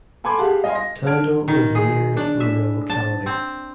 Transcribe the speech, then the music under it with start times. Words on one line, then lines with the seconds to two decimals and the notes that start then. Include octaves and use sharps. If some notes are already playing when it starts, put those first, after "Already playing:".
Tando is the nearest rural locality.
0.24 A4 G#5 B5 C6 D6 G#6
0.38 G4 G#4 F5 F#5 A5
0.64 D#5 F5 G#5 C6
0.75 A#6
1.06 F#5 A5 F6 G#6 D7
1.48 D#3
1.75 G#4
2.17 D4
2.40 E5
2.90 A5
3.26 C4